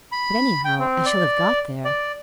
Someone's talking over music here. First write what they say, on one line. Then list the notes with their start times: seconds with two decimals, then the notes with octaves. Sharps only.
But, anyhow, I shall have got there.'
0.12 B5
0.65 G5
0.79 C4
1.06 D5
1.85 D5